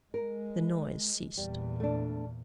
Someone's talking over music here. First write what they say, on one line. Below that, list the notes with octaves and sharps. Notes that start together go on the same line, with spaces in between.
The noise ceased.
G#3 A#4
E2 A#2 G3
A3 D4